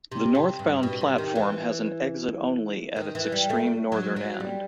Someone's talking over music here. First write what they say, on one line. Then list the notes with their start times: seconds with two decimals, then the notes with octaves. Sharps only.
The northbound platform has an exit-only at its extreme northern end.
0.12 C3
0.35 C3
0.59 G2
0.83 B2
1.01 C3
1.18 D#3
1.36 E3
2.96 D#3
3.15 E3
3.32 G3
3.50 A3
3.92 F#3
4.16 F#3
4.40 G3